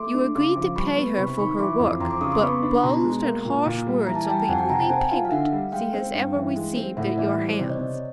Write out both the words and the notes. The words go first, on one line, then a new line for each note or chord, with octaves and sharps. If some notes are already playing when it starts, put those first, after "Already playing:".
You agreed to pay her for her work, but blows and harsh words are the only payment she has ever received at your hands.
Already playing: A3 C6 D6
D4
C#3 C6 D6
F3
G3 B5 C#6
B3
C3 B5 C#6
D#3 B5 C#6
E3 C6 D6
F2
F2 A#5 C6
C6 D6
C#3 C#6 D#6
C6 D6
B3 B5 C#6
D4
B2 A#5 C6
G#3
A#3
A#2
A#2
G3
E3 A#5
A5
G#5
G3 G5 A5
F2 F#5 G#5
G5 A5
C3 G#5 A#5
G5 A5
C4 F#5 G#5
F4
F5
D3 E5 F#5
G3
G#3 F5 G5
C4
G2
E3
G#3
C4
A2 E5 F#5
E3 D5 E5
G3
C5 D5
C3 C5 D5
C#5 D#5
C3